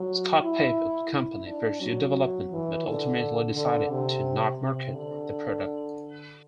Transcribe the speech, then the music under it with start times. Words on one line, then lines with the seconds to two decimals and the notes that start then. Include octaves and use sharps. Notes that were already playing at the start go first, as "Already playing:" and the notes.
Scott Paper company pursued development, but ultimately decided to not market the product.
Already playing: F#3
0.43 E4
1.12 E4
1.47 D4
1.81 F#3
2.52 E3
2.85 D3
3.56 D3
3.90 C3
4.60 C3
4.95 D3